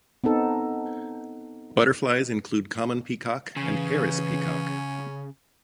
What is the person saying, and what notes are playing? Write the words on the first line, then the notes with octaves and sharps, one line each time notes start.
Butterflies include common peacock and Paris peacock.
B3 C4 D#4 A4
C#3 E3 C#4